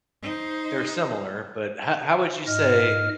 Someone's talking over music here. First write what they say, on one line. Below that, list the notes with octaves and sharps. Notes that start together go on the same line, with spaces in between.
They're similar, but ho how would you say
D#4 C5
G#2 D#5 F6